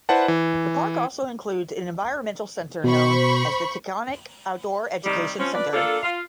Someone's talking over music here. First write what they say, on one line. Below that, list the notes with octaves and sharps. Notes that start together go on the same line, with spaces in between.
The park also includes an environmental center known as the Taconic Outdoor Education Center.
E4 B4 C5 D5 F#5 A5
E3
B2 C5 B5 C#6
C3 D#3 G3
F3 C4 C#4
F3 B4 D5
A#3 D4 F4 A4
F4 F5